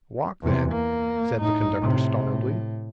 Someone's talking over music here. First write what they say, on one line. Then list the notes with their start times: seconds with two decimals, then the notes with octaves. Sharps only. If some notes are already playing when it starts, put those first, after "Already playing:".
'Walk then,' said the conductor stolidly.
0.42 E2 C3
0.72 A#3
1.40 A2 D#4
1.81 A2 C3
2.27 A2